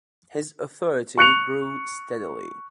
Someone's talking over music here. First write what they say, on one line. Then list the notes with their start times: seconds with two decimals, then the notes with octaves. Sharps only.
His authority grew steadily.
1.18 C#6 F#6 C#7 F7